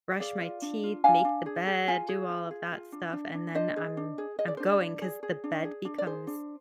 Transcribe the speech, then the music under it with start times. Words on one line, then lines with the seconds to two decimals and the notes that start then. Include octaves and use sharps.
brush my teeth, make the bed, do all of that stuff, and then I'm I'm going 'cause the bed becomes
0.20 G#4 D5 F5
0.41 F4
0.62 D4
0.83 F4
1.04 D4 F5 G#5
1.25 D4
1.46 G#4
1.67 G#4
1.88 F4 F5 G#5
2.09 G#4
2.30 F4
2.51 G#4
2.72 F4
2.92 D4
3.13 D4
3.34 D4
3.55 D4 C5 D#5
3.76 G#4
3.97 D4
4.18 G#4
4.39 G#4 D#5
4.48 D5
4.57 D4 C5
4.66 D5
4.81 D4
5.02 G#4
5.23 G#4
5.44 D4
5.64 G#4
5.85 D4
5.98 D5
6.06 G#4 C5
6.27 D4